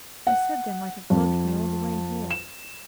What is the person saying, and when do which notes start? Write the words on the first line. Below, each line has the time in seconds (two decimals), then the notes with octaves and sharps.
"I said they might have dodged me all the way here."
0.27 F#5
1.10 F2
2.30 E7